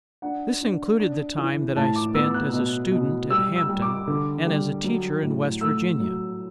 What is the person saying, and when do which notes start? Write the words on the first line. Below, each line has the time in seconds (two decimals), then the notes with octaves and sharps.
This included the time that I spent as a student at Hampton and as a teacher in West Virginia.
0.22 D4 F#5
0.61 D4
1.00 D4
1.38 E3
1.76 A2 A5
1.96 D6
2.15 B3 E6
2.34 F#6
2.53 B2
2.91 B2
3.30 G3 E6
3.56 E6
3.69 G3
3.82 D6
4.07 D3
4.46 G3
4.84 F#3
5.23 A2
5.61 A3 E6
6.00 F#3